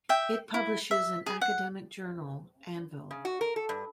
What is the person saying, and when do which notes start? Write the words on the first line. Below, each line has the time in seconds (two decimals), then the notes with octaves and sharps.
It publishes an academic journal "Anvil".
0.09 E5 G5
0.54 E4
0.91 E5
1.26 G#4
1.41 F#5
3.11 C#3
3.25 F#4
3.41 A#4
3.56 A4
3.69 G2